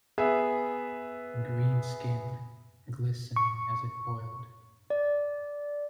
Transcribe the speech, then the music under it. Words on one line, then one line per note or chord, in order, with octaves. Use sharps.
Green skin, glistening as if oiled.
B3 G#4 E5
C#6
D5